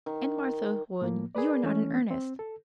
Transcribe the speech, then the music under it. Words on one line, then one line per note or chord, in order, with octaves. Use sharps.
"Aunt Martha would--you are not in earnest."
D#3
A2 F3 A#3
G#4 A#4 B4 D5
E3 A3 C#4
C4
A4